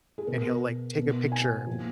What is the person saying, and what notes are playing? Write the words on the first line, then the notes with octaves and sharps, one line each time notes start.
and he'll, like, take a picture,
G#4
B2 A#4
B2
G#5
A#2 F3